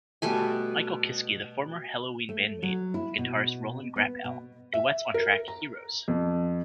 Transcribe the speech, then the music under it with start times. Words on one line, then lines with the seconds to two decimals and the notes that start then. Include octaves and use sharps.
Michael Kiske, the former Helloween bandmate of guitarist Roland Grapow, duets on track "Heroes".
0.22 B2 G3 A3 G#5
2.29 A3
2.62 F#3
2.94 E4
3.18 B2
3.96 B3
4.24 B2
4.74 E5
5.14 A#4
5.48 A#5
6.08 F2